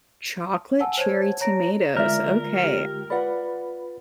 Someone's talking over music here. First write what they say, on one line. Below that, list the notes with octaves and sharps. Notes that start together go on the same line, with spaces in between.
Chocolate cherry tomatoes, okay.
F#5 G#5 A5 E6
C5 C#5 A5 G#6
C#5 A#5 A#6 D7
D3 G#3 F4 A#4 D5 E5
G4
F4 B4 D5 F#5 B5